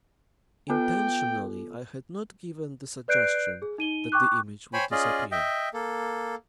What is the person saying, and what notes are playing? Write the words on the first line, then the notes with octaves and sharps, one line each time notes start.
Intentionally I had not given the suggestion that the image would disappear.
B3 F4 A4 G5
B4 D5 F#6 G6 C7 D7
G#4
D#4 D#7 G7
G5 C#6 D6 F#6
C5 C#5 G5 G#5 B5
C#4 F4 G#4 D5 D#5
D#5 E5 G5
A#3 A4